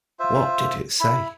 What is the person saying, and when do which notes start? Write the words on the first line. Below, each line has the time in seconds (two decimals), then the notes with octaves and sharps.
What did it say?
0.19 F4 C5 E5
1.00 E4 B5